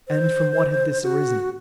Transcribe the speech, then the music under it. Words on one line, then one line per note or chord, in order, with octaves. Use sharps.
And from what had this arisen?
C5
F#4